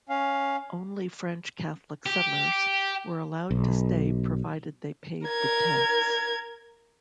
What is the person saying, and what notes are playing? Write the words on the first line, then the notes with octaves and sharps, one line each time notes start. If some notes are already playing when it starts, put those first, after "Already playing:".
Only French Catholic settlers were allowed to stay provided they paid the tax.
C#4 F5
G4
B1
A#4 G#6